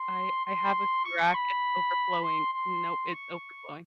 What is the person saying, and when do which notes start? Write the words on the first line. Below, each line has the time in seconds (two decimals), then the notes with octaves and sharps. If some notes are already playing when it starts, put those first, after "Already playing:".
I I have a shoe rack, it's overflowing. Nope, it's overflowing.
Already playing: C6
0.46 C6
1.05 C#6
1.34 B5
2.23 C6
2.53 C6
3.12 C#6